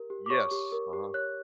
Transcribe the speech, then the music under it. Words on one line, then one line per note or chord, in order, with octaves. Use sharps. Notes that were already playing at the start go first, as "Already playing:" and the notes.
Yes, uh-huh.
Already playing: G4 A#4
G4
D6
C#5 C#6
G4
A#4
G4
C#5 F#6